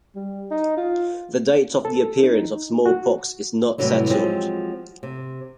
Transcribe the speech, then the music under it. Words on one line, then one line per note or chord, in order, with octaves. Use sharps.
The date of the appearance of smallpox is not settled.
G3
D#4
F4
A4
D#4
F#4
A2 C3 D#3 E3 F#3 G3
F3 F#3 G#3 C4 G4
C3